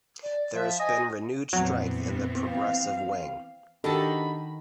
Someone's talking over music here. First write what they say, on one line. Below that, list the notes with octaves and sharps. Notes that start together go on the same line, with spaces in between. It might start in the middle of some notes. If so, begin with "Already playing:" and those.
There has been renewed strength in the progressive wing.
D5
F3 E5
D#5 G#5
F2 A#2 E3 F#3 B3 C4
F5 G5
D#3 D4 F#4 G4 A4 D#5 A5 B5